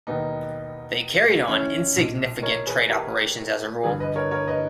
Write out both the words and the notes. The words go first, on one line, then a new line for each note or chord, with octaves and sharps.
They carried on insignificant trade operations as a rule.
E1 D#2 D#3 B3 D#4
C#4 E4
B1 A#2
A#4 C#5
G#4 B4
G4 A#4
G1 G2 E3 G#4 B4
B4 D#5
A#4 C#5
A#4 C#5
B4 D#5